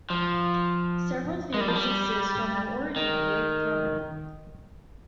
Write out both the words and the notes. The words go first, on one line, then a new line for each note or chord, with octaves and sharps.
Several theories exist on the origin of Lake Drummond.
F3
G#3
G3
F3
G3
D#3